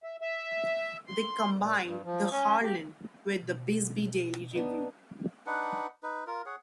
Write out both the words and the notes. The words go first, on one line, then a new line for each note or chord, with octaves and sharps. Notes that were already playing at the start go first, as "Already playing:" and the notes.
They combined the "Herald" with the "Bisbee Daily Review".
E5
E5
C6
A#2
G2
F3
C#4
G4
B2
B3 D4 D#4
D4 D#4 B4 F#5
D#4 B4
F4 A#4
G#4 C#5 F#5